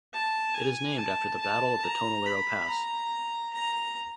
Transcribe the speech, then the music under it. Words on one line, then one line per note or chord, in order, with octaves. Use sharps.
It is named after the Battle of the Tonelero Pass.
A5
G#5
A5
A5
A#5
B5
A#5
A#5